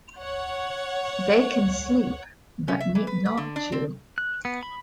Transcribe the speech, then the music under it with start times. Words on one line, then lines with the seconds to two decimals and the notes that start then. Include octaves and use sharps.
They can sleep but need not to.
0.19 C#5 F#5
2.68 C#4
2.80 E5
2.95 E3
3.07 B4
3.25 B4
3.37 D3
3.56 D4
3.72 C4
4.18 F#6
4.45 B3
4.63 B5